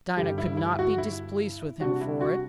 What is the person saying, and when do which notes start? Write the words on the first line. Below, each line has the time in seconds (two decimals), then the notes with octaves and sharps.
Dinah could not be displeased with him for it.
0.17 G2 D3 G3 G4
0.38 E4
0.57 E4
0.79 F#4
0.98 E4
1.80 C3 G3 D4 F#4
2.01 E4
2.21 F#4